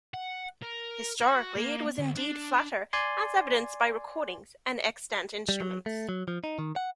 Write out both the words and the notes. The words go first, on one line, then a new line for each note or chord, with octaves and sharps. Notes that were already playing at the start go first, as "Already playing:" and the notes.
Historically it was indeed flatter, as evidenced by recordings, and extant instruments.
F#5
A#4
F#4
A#3
D2
D4
D5 G#5 C6
G3
F#3
A3
F#3
F3
D#4
D#3
F#5